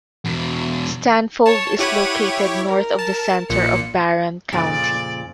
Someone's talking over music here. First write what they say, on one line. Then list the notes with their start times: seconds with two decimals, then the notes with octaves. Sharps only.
Stanfold is located north of the center of Barron County.
0.25 E2 B2
1.46 C#5 A5
1.79 E4 G4 C#5 F#5 D#7
2.67 A#4
2.99 A5
3.50 A#1 A#2 C#7
4.52 F2 A#2 C#3 D5